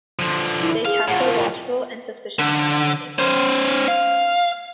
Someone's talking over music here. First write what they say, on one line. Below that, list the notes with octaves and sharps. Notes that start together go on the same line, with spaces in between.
They kept a watchful and suspicious eye on the neighbours.
D3 F3
E4
G#4 F5
A2 F3 F#5
A#4
D3
C#4 C5
F5